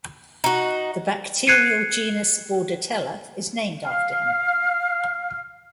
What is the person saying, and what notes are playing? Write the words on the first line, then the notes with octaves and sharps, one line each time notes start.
The bacterial genus "Bordetella" is named after him.
D#4 F#4
F#6 G#6 C7 C#7 D#7
F5 F6